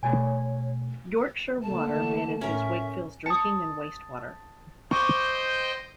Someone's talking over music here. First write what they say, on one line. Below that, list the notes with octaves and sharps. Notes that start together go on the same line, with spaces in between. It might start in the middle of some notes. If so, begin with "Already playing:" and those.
Yorkshire Water manages Wakefield's drinking and waste water.
B2 A3 F#4 C#5 D5 G#5
D3 A3 A#3 A5
A2 C#4 A#4 E5
A5 D#6 C#7
C5 D#5 G5 C#6 D6